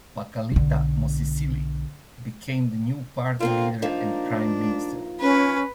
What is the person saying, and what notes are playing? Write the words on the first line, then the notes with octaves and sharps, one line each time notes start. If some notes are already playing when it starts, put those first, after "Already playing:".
Pakalitha Mosisili became the new party leader and prime minister.
B1 D3
D3 A#3 C4 F4
F3 A#3 D4 D#4
C#4 B4